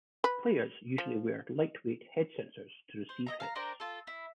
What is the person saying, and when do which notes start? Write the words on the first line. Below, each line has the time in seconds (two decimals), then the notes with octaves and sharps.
Players usually wear lightweight head sensors to receive hits.
0.24 B4
0.98 F3
3.09 C5
3.27 D#5 E5 A#5
3.40 F5 A5 A#5
3.55 D4 A#4 C5 G5
3.80 F4 A4
4.07 E4